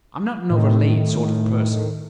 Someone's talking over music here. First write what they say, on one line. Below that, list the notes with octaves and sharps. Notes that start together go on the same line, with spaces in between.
I'm not an overlaid sort of person.
A2 D#3